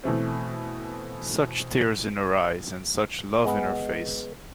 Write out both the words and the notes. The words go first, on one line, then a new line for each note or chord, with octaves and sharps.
Such tears in her eyes, and such love in her face.
B2 E3 A3 C4
G#3 B3